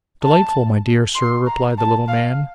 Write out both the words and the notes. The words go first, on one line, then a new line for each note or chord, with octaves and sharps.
'Delightful, my dear Sir,' replied the little man.
A5
C6
A#5
A5
F5